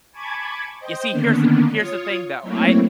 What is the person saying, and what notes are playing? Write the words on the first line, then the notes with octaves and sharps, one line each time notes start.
You see, here's the here's the thing, though. I,
G#5 A5 B5 C#6 D6 G#6
C5 D#5 G5 G6
D3 D#3 A#3 B3 C#4 D4
F4 C#5 D#6
F#3 A3 A#3 C4 E4 C#5